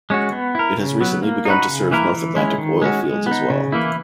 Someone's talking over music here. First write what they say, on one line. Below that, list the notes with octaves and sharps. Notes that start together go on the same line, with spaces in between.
It has recently begun to serve North Atlantic oil fields as well.
G#3 C#4 F#4
B3
E4 A#4
C#3
F#3 B3
A#3
D#4 F#4 B4
C#3
E3 A#3 E4 A#4
E3
G#3 C#4 E4
D#3
G#3 C#4 F#4
G#3
B3
D#4
C#3
E3 A#3 E4